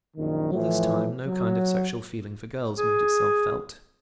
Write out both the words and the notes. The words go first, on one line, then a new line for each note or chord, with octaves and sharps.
All this time, no kind of sexual feeling for girls made itself felt.
A#1 F#2 D#3
A2 E3 F3
F#3
G#4